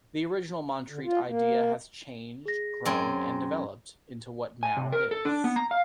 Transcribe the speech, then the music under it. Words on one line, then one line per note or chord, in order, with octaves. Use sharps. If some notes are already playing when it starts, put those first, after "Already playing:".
The original Montreat idea has changed, grown and developed into what now is.
D3
F4
A#3
G#4 A#6
F#2 C4 G#5
G#5
C3
A#4
A4
D4
B3
A#5
F5